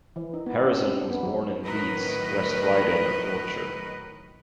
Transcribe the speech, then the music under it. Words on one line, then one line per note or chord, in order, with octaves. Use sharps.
Harrison was born in Leeds, West Riding of Yorkshire.
E3
D#4
B3
C#4
C4
D4
B3
F#3
A2 D#3 F#3 A#4 B4 D#5